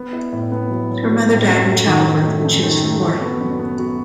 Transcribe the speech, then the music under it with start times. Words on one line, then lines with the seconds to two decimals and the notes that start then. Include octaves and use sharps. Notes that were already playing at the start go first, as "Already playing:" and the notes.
Her mother died in childbirth when she was four.
Already playing: B3
0.13 E4
0.32 A2
0.52 B3
0.70 F#3
0.90 F#3
1.09 F#3
1.28 A2
1.48 F#2
1.67 A3
1.86 D#3
2.05 D#3
2.25 A3
2.44 F#2
2.64 D#3
2.83 A3
3.01 F#4
3.21 B3
3.41 F#2
3.59 B3
3.79 F#4